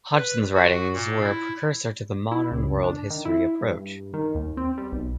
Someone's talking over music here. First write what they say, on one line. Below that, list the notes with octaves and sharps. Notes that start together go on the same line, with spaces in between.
Hodgson's writings were a precursor to the modern world history approach.
B4
F#4
A#2
E4
E4
C#2
D4
D#3
E4
G2
D#3
D#2
C4
G3
B1